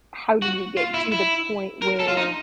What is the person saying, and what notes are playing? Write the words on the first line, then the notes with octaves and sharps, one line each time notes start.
How did we get to the point where
F#4
F4
E4
E4
A#4
A4
F4
D#4